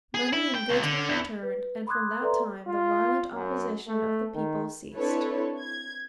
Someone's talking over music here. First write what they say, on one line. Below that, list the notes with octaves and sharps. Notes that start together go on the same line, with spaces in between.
Money and goods were returned, and from that time the violent opposition of the people ceased.
G#4
E4
G5
C#2
D3
E2
B4
B5 C6 D6 D#6 F#6 G#6
A4 B4 D5 E5 A#5 C6
F4
F#2
A3
D#3
C4 D4 E4 A4 B4 C#5
G#6